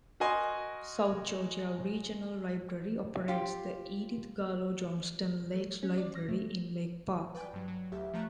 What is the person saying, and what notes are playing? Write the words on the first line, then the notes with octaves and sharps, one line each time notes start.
South Georgia Regional Library operates the Edith Garlow Johnston Lakes Library in Lake Park.
F#4 A#4 D#5 G#5 C6
F4 G4
A3
C#4
D5
A#6
A3
B4 D5 G5 G#5
G2 F#3
F#3
A1 D2 G4 E5
F3 A3 A#5 C#6 F#6 G#6